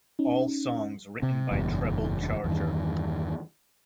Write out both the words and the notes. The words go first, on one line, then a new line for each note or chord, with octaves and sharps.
All songs written by Treble Charger.
C#4 D#4
C3 C4
F#1 E2 G2 B2
E2 G2 D#3